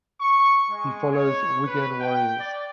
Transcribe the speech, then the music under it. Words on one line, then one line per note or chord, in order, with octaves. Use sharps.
He follows Wigan Warriors.
C#6
G#3
C#5
B4
G5
D5